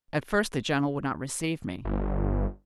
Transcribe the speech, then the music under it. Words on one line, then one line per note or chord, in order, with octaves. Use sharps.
"At first the general would not receive me."
G1